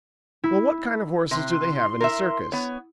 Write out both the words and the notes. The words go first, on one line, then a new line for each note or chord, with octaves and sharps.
Well, what kind of horses do they have in a circus?
E4
C3 C6
A#4 E5
B3 C#5